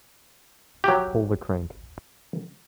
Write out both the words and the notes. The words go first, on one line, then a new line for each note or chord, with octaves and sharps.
Pull the crank.
F#3 G4